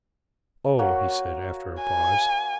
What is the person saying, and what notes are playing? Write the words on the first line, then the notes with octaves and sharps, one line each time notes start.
"Oh!" he said after a pause.
A#3 F#4 C#5
G#5